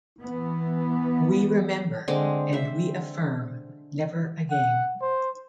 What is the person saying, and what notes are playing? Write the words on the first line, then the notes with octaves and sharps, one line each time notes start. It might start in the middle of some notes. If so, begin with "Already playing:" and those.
We remember, and we affirm: never again.
E3 B3
D3 G#3 C4 D6
C5 E5
F#5
C5